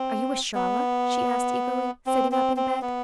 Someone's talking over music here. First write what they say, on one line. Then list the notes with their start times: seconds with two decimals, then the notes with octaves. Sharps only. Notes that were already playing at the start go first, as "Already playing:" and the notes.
"Are you Estralla?" she asked eagerly, sitting up in bed.
Already playing: C4
0.55 B3
2.06 C4
2.32 C4
2.57 C4
2.82 B3